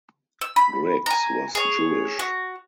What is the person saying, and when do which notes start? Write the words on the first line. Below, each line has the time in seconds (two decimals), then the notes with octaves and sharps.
Griggs was Jewish.
0.41 E6
0.56 B5
1.06 G#5 A#5
1.55 G#4 C#5
2.19 F#4